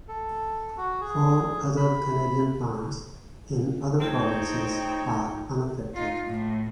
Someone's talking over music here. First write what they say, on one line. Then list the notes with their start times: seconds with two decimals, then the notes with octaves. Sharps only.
Four other Canadian plants, in other provinces, are unaffected.
0.08 A4
0.77 F#4
1.01 G#4
1.77 B5
4.00 A3 C4 D#4 F4 G#4 C#5 G5
5.95 D#4 F4
6.26 A2